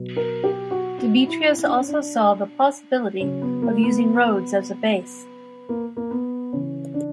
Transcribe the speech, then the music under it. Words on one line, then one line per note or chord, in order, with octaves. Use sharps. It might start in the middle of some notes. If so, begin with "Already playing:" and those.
Demetrius also saw the possibility of using Rhodes as a base.
Already playing: B2 F#3
A#4
G4
F#4
F#4
E4
E4
D4
C#4
D4
C#3 F#3 C#4
B3
A#3
B3
A#3
A#3
B3
C#3 E3 C#4
D4